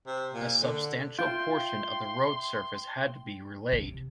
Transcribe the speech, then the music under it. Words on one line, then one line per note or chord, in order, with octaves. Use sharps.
A substantial portion of the road surface had to be relaid.
C3
A#2
D3
F4 E5 G5 C6
C3